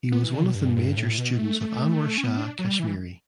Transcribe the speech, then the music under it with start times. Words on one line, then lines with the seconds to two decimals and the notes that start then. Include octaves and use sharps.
He was one of the major students of Anwar Shah Kashmiri.
0.12 B3
0.23 E3
0.34 D3
0.44 B2
0.55 G2
0.76 G2
0.97 A2
1.18 B2
1.39 A3
1.61 A3
2.18 C#4
2.24 B3
2.38 D4
2.59 F#3
2.66 G3
2.79 E3